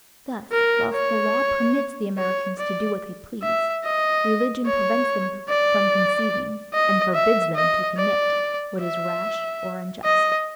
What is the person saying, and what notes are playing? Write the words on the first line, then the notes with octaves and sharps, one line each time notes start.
Thus whilst the law permits the Americans to do what they please, religion prevents them from conceiving, and forbids them to commit, what is rash or unjust.
A#4
C#5
C#5
D5
E5
D#5
C#5
D5
D#5
E5
D#5
D5
E5
D#5